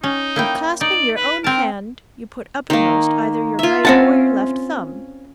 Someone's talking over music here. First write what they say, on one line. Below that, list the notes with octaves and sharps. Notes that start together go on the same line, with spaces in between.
In clasping your own hand, you put uppermost either your right or your left thumb.
C#4 D#4
A#3 E4 G5
D#4 D5
B4
C4 A#4 A5
D#3 A#3
F4 E5
C4 C#4 F#5 A5